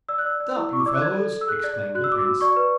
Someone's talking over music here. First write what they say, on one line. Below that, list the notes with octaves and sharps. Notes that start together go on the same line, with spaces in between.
"Stop, you fellows!" exclaimed the prince.
D5 E6
F#6
D5 E6
D5
E4
E4 C#6
D6
D5 E6
F#6
D5 G#6
A4
A4
E6
G#4 F#6
D5
D5
F#4 F#6
E6
F#4 D6
F#4 E6
D5 C#6
B4